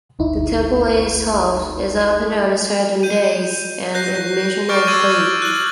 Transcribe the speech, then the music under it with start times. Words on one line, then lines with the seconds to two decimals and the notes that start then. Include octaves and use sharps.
The temple itself is open on certain days, and admission is free.
0.19 G1 D2 D#4 E4
3.03 G6 D#7
3.95 F#6 G6 A#6 C7
4.69 C#6 D6 F6 G6 A6 D7
4.87 C#6 D6 E6 G#6 A6 D#7
5.42 F#6 F#7